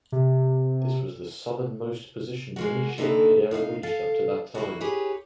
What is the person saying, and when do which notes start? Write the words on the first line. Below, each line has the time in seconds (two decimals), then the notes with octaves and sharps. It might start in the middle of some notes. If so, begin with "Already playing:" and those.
This was the southernmost position any ship had ever reached up to that time.
0.12 C3
2.56 G#3 A#3 F#4
2.98 D3 E3 A#3 D#4 E4 A4
3.51 C3 D#4 E5 F5
3.83 A4 F5
4.55 A#3 E4 F#4
4.80 G4 G#4 B4 C#5